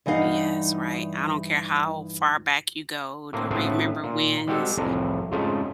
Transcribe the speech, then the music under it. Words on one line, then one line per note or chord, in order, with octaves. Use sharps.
Yes. Right. I don't care how far back you go to remember wins,
G2 E3 G3 D#4 F5 F#5
A2 A#3 C4
A2 C#3 A3 B3 C4 F4
A#2
G3 G#3 C4 F#4 G4 A4
C2 F2 A2 E3 A#5
F2 G#2 C#3 F3 A3